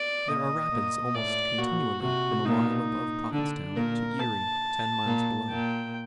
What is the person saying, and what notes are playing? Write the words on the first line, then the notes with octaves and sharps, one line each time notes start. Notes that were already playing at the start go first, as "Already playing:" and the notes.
There are rapids, almost continually, from a mile above Prophetstown to Erie, ten miles below.
Already playing: D5
A#2 D#5
A#2
A2 D5
A#2 F#4
C3 F#4
A#2 D#4
D3 D4
A#2 A#4
A5
A#2
A#2 G5